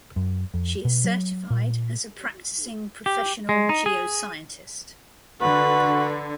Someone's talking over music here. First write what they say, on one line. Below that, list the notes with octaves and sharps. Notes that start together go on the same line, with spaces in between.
She is certified as a Practicing Professional Geoscientist.
F#2
F2
B2
F#3
A#2
G4
G#3
D#4
G#4
D3 F#4 B4